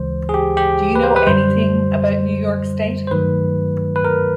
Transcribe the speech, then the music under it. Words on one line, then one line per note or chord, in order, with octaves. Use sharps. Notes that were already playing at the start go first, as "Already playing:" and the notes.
Do you know anything about New York State?
Already playing: D2 C#3 E3 G#3 C5
G#4
G4
G4
B4
C5
B4
F#2 D3 G3 C5
C5
G2 D#3 F#3 A3 B4
B4
A#4